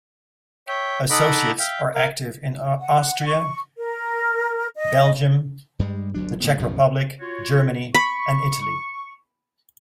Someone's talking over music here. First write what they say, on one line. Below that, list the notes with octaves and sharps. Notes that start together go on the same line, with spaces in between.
Associates are active in Austria, Belgium, the Czech Republic, Germany, and Italy.
C#5 E5 G5
D#4 A4 D#5 F#5 B5 D6
E5 F5 G5
A#4 F5
F#5
C#6
A#4
D#5
G2 G3 G#3
G1 D2 F#3 D4
A2 C#3 B3
B1 F#2 A2 F3
F4 F#4 C#5
B5 C#6